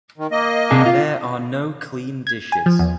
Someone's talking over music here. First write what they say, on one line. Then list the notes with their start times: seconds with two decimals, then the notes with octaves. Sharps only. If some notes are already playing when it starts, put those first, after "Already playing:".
There are no clean dishes.
0.18 D#3
0.31 A#3 D#5
0.71 C3 D4 G#4
0.86 F4
2.27 G#6
2.52 G#5
2.66 F3
2.79 E2